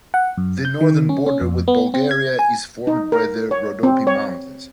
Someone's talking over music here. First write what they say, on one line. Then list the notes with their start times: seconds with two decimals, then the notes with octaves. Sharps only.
The northern border with Bulgaria is formed by the Rhodope Mountains.
0.14 F#5
0.38 F#2
0.65 G6
0.81 D#3
1.09 C#4
1.26 C#4
1.41 F2
1.68 B3
1.94 C4
2.11 G#6
2.39 G#5
2.87 D#4
3.12 A#4
3.51 C#5
3.83 C4
4.07 C#5